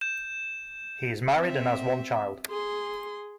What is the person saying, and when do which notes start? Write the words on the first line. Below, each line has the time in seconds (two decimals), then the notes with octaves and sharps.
He is married and has one child.
0.01 G6 E7
1.38 C4 E5
2.49 G#4 C6